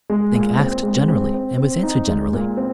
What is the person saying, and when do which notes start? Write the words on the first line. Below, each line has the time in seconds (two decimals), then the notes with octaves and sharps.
Link asked generally, and was answered generally.
0.10 G#3
0.34 A#2
0.58 C4
0.83 G#3
1.08 C4
1.34 C4
1.58 C4
1.83 D#4
2.08 G#3
2.33 A#2
2.57 C4